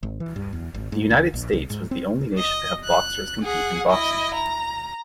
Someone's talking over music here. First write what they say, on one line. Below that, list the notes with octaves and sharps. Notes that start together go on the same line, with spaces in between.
The United States was the only nation to have boxers compete in boxing.
G#1
E3
G2
E2
G#1
G#2
D2
A#1
C2
G#2
C4
D#5
F#6
G#4 F#5
E4 D#5
A#5